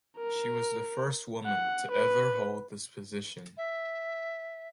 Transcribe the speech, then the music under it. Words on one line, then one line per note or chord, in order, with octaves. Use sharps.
She was the first woman to ever hold this position.
A#4
F#5
B4
E5